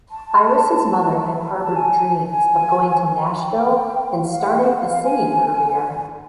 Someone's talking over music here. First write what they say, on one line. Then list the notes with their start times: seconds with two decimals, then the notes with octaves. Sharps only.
Iris's mother had harbored dreams of going to Nashville and starting a singing career.
0.11 A5
1.64 A5
1.76 G#5
2.31 G#5
3.40 G5
4.31 F5
4.40 F#5
4.50 G5
4.64 F#5
4.77 F5
4.90 F5
5.05 G#5